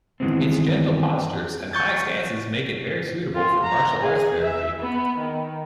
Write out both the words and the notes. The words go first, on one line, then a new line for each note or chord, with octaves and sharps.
Its gentle postures and high stances make it very suitable for martial arts therapy.
G2 D#3 E3 G#3 B3 C4
C#6 G6 A6
F4
A#5
G#4
E5
B3
D#3